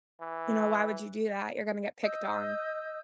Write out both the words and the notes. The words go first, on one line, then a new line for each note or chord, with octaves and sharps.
"You know, why would you do that? You're gonna get picked on."
E3
D#5 D#6 E6 G6